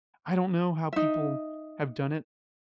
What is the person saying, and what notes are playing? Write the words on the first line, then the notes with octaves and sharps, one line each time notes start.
I don't know how people have done it.
D#4 E5